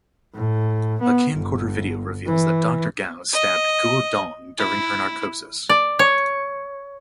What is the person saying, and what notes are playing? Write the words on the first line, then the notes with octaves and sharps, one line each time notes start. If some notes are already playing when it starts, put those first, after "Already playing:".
A camcorder video reveals that Doctor Gao stabbed Guo Dong during her narcosis.
A2
B3
G1
E3
D#5
E4
D5
C#5